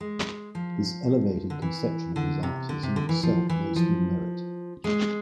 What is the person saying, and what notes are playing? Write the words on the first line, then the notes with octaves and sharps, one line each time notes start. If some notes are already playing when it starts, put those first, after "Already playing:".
This elevated conception of his art is in itself no small merit.
G#3
F3
D3
E3
D3
C3
D3
C3
D3
E3
F3
E3
F3
G#3